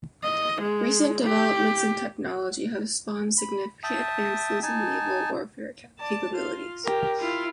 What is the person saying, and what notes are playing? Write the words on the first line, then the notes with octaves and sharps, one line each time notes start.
Recent developments in technology have spawned significant advances in naval warfare capabilities.
D#5
G#3
G4
B5
E5 G5 A5 D#6
D#4 G#5 A5
D5 A5
F4
G4 A#4
E4 F4